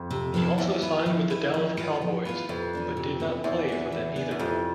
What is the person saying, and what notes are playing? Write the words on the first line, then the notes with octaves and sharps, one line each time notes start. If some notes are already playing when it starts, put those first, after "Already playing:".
He also signed with the Dallas Cowboys but did not play for them either.
Already playing: F2
C3
F3 B3 E4 A4
E2 F3
B3 E4 B4
F3
B3 E4 B4
F3
B3 F4 B4
F3
B3 F4 B4
F2 C3
E3 B3 D4
C3
E3 B3 D4
E2 E3
B3 D4 G#4
E3
B3 D4 G#4
E2
F2 C3